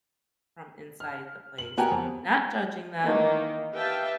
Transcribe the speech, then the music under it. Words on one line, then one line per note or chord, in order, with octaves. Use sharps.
from inside the place. Not judging them,
F6
F#7
B3 F#4 G4 A#4 F#5 G#5
F2
D#3 E3 A#3 D#4
G4 B4 E5 F5 G5 A5